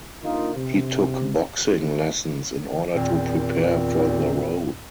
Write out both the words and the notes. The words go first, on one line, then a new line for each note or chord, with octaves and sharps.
He took boxing lessons in order to prepare for the role.
D3 A#3 D#4 F4
C3
E2 A#2 D#3 C4